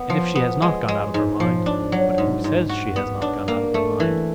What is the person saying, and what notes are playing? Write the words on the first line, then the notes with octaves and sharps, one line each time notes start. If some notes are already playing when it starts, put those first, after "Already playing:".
And if she has not gone out of her mind... but who says she has not gone out of her mind?
Already playing: B3
F3
B3
G#3
G#3
G#2
F3
D4
F#3
G#2
G#2
F#4
B3
D4
A#3
A3
E3